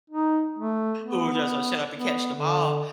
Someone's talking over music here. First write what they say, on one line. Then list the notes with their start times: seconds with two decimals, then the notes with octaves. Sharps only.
who are just, like, "Shut up and catch the ball,"
0.10 D#4
0.59 A3
1.02 B3
1.93 B3
2.35 D3